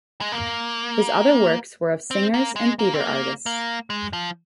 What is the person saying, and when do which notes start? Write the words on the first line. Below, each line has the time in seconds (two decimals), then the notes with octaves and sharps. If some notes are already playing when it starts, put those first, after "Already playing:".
His other works were of singers and theater artists.
0.21 G#3
0.32 A#3
2.11 C4
2.34 A#3
2.56 G#3
2.79 A#3
2.94 C4
3.00 A#3
3.46 A#3
3.90 G#3
4.13 F3